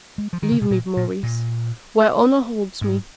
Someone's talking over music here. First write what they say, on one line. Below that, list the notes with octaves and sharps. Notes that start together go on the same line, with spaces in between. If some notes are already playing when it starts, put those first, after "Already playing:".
Leave me, Maurice, where honor holds me.
G#3
F3
D#3
C#3
B2
A#2
A#2
A#2
G#2